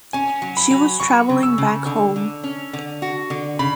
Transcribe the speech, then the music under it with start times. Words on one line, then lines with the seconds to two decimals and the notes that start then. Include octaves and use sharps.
She was travelling back home.
0.13 C#4 G#5
0.42 F#3
0.57 B5
0.71 F#3
1.00 F#3 C#6
1.29 C#3
1.43 E6
1.58 C#3
1.86 D3
2.16 D3
2.44 C#4
2.73 D3
3.02 F#4
3.30 D3
3.59 C#3 B5